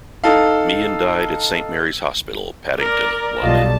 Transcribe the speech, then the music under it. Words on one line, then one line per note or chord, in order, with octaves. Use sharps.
Meehan died at Saint Mary's Hospital, Paddington, London.
D#4 A4 F5
A#4 D5
B1 G3 F4 D#5 A5